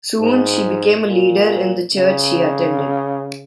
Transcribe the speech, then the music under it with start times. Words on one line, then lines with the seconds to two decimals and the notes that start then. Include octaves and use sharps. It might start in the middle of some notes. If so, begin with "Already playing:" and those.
Soon, she became a leader in the church she attended.
0.20 G#2
1.07 A#2
1.94 C#3